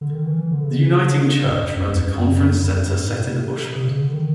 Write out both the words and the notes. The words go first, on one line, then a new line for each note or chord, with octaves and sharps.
The Uniting Church runs a conference centre set in the bushland.
D3
D#3
E3
E3
D3
C#3
G#2
G2
F#2
F#2
F2
G2
F#2
F#2
G2
G#2
A#2
C3
C3
C#3
D3
D#3